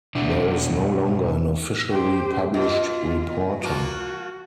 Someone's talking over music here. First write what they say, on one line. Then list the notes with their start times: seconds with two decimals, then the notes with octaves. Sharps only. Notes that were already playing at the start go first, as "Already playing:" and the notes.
There is no longer an officially published reporter.
0.15 B2 D4 E4
1.91 G4 C5
2.54 B2 F4
3.62 F3 A#3 F4 F#4